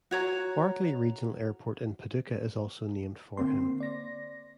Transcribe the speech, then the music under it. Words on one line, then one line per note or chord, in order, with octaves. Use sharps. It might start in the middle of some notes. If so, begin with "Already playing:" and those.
Barkley Regional Airport in Paducah is also named for him.
F#4 C#5 A#5
D3 A#3 C4 C6
D5 A#6